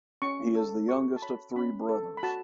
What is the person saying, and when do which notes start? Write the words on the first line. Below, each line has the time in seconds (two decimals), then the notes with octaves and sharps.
He is the youngest of three brothers.
0.22 C#4 C#6
0.55 A4
0.89 F#4 C#6
1.16 A5
1.22 C#5 B5
1.56 C#4 B5
1.89 A4
2.17 B5
2.23 F#4 A5